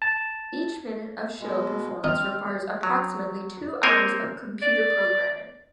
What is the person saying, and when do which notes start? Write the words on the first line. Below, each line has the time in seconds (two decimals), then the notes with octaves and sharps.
Each minute of show performance requires approximately two hours of computer programming.
0.02 A5
1.41 B2 G#3
2.04 C4 D#4 F6
2.83 F#3
3.83 A#3 C4 A#4 C5 C#5 G#5
4.62 D5